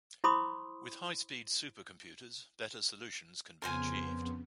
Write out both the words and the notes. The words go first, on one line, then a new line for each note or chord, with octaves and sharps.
With high-speed supercomputers, better solutions can be achieved.
E4 C5 B5 C6 D6 D#6
F2 C#3 B3 A#4 C5 G#5